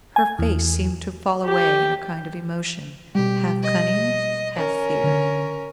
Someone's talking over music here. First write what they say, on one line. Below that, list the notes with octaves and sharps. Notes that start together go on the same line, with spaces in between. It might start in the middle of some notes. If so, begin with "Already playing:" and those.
Her face seemed to fall away in a kind of emotion, half cunning, half fear.
G#5
E2
G4
B2 G3 G4
D#5
C#4 A#4
D3